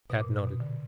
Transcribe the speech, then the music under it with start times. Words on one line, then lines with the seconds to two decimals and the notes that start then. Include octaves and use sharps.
Tad nodded.
0.10 B2
0.21 A#2
0.47 B2
0.60 D3